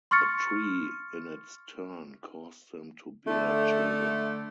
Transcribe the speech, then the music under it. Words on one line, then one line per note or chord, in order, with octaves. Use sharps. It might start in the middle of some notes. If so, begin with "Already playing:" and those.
The tree in its turn caused them to bear children.
C6 C#6 F6 A6 C#7
D3 A3